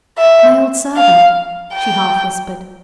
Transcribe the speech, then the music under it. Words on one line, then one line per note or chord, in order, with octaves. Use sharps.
"My old servant," she half whispered.
E5
F5
G5